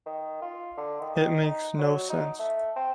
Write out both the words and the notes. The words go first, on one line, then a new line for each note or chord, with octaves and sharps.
It makes no sense.
D#3
F4
D3
D#3
D#3
D#4
F#3
D#4
A3
C4